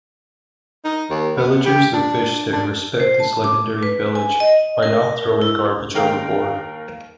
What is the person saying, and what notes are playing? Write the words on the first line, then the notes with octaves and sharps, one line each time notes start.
Villagers who fish there respect this legendary village by not throwing garbage overboard.
D#4
D#2
B3
G4
D4
D4
C5
A5
D6
B4
G#5
D#5
A#4
E4
D#2 A#4 F5 G5